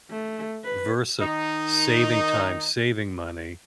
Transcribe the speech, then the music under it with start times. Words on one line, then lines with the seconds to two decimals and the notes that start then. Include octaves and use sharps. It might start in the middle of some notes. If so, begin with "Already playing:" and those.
versus saving time, saving money,
0.10 A3
0.64 B4
1.20 D#3 D#4